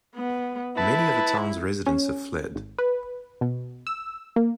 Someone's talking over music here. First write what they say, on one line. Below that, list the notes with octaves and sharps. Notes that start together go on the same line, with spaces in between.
Many of the town's residents have fled.
B3
E4 B4 A5
C#4
G#1
B4
B2
E6
A#3